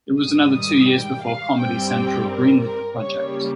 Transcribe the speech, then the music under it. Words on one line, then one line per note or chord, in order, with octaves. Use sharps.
It was another two years before Comedy Central greenlit the project.
G#2 D#3 G3 D#6
D#6
G5
F5
G2 G3 C4 G5
A#4
A#4
C#3 G3 A#3 C#5